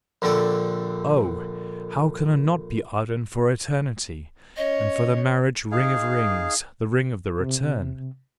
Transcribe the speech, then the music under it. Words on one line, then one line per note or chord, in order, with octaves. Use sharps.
Oh, how could I not be ardent for Eternity and for the marriage-ring of rings--the ring of the return?
A#1 D3 C4 A4 D5
C#4 C#5 D#5
D#4 G#4 F5
C3